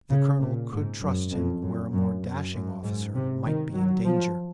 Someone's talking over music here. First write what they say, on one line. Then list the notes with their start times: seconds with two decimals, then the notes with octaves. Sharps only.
The colonel could trust him where a more dashing officer might be in danger.
0.10 C#3
0.41 A#2
0.71 G#2
1.01 F#2
1.32 F2
1.62 F#2
1.93 F#2
2.23 F#2
2.53 F#2
2.83 G#2
3.15 C3
3.45 D#3
3.75 F#3
4.06 F3